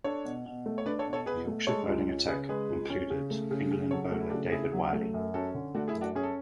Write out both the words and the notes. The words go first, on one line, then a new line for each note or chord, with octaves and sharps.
The Yorkshire bowling attack included England bowler David Willey.
D4 A4 C#5
B2
B2
A3
C#5
D4 B4 D5
A4 C#5
B2
A4 C#5
B2 G#4 B4
A3
G#3 A4 C#5
C#2
C#4
C#3 G#4 B4
G#3 G#4 B4
C#2
C#4
C#3
A3
C#3
C#3
F#3 A4 C#5
A3 F#4
E4
D4 F#4
C#3
C#3 E4 G#4
F#3
A3
F#2
C#4 F#4 A4
D3
A3 D4 F#4
E4 G#4
F#2
D4 F#4
C#4 G#4
A4